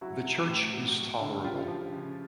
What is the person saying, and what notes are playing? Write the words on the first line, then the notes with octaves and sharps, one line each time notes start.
The church is tolerable.
F#3 E4 F#4
F#3
A2
F#3
F#3
D3
C#3 F4 G4
F3
C#3